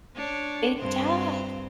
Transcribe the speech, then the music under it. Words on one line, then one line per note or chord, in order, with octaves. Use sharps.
It does.
D4 C#5
G2 C4 C5